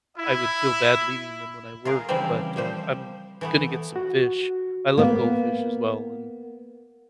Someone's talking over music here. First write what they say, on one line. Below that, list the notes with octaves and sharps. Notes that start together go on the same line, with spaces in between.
I I would feel bad leaving them when I work, but, uh, I'm gonna get some fish. I love goldfish as well and
E4
F4 G#4 A#4
C#3 E3 F3 G3 C4
F3 G3 C5
E3 A3 B3
F#4
A#3 B3